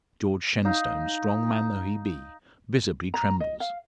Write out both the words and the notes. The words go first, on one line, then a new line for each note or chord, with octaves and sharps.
George Shenstone, strong man though he be, visibly trembles.
D#4 F5
A#5
D#5
F5